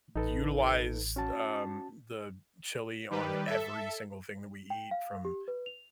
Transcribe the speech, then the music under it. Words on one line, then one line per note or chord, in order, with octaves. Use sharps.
utilize, um, the chili on every single thing that we eat from,
A1 D#4 A4 B4
C#4 F#4 A5
D#3 G3 G4 B4
A4 E5
G5
F5
G4
B4
F7